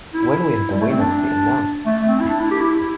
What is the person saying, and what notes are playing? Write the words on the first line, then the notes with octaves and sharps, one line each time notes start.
When will the winner be announced?
E4
G3
A3
C4
D4
A3
C4
E4
D4
E4
G4
E4
E4